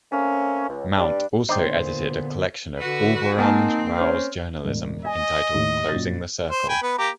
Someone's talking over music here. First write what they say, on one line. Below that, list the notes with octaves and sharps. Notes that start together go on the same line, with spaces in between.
Mount also edited a collection of Auberon Waugh's journalism entitled "Closing the Circle".
A3 A#3 C4 C#4
C#2
G2 G3 D4
A#2 D3 B3 D#4 C5 D5 G5
D3 F#4 B4
A#3 C4 D#4 F#5 G#5 A5
C#4 C5 F6
E1 A2
D#5 G#5
D#2 A2
F#2 A#2 A6
C5
G5 G#5 B5
B3 B4
A#3 G4 A#5